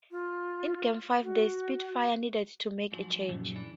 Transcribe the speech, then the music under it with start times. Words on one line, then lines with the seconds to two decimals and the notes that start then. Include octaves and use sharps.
In game five, the Spitfires needed to make a change.
0.11 F4
1.22 F#4
2.92 G#2 F3 F#3
3.28 F#2 A#2 C#3
3.55 E3 D4